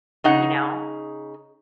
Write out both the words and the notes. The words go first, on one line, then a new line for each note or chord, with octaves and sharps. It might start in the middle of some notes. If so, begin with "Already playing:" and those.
You know?
C#3 D#4 F#5